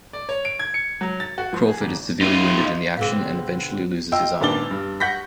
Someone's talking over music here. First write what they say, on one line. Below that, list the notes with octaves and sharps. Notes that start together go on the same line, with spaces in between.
Crawford is severely wounded in the action and eventually loses his arm.
D5
C#5
D7
G#6
C#7
F#3
A6
F#4
F3
G#4
G#1
D#4 F4
B2 D3 C4 G#4 F5
F4 D#5 G5 E6
G#1 A#2 B3 D4 A6 G7
G2
F#5 C#6 G6 A#6 B6